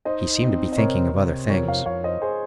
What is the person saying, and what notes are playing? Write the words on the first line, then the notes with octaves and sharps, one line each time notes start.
He seemed to be thinking of other things.
D#4 C5 D#5
C4
D#5
C3 A#4 C#5
C3
F2 A#4 C#5
C#5 F5
F2 C#5 F5
C5 D#5
G#4 C5